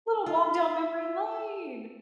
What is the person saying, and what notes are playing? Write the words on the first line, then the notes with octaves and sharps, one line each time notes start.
Little walk down memory lane.
F4 E5